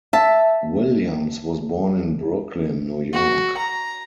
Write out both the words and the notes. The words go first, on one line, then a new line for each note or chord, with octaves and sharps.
Williams was born in Brooklyn, New York.
E5 A5
F#4
A#5